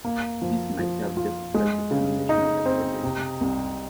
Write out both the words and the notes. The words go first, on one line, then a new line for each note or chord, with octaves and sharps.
This might have justified the termination of the project.
A#3
F3
F3
F4
G#3
C#3
D#4
C4
C3
C2